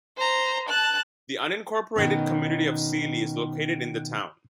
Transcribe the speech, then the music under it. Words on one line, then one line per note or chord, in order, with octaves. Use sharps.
The unincorporated community of Seeley is located in the town.
C5 A#5
A5 F#6
B2 D#3 C#4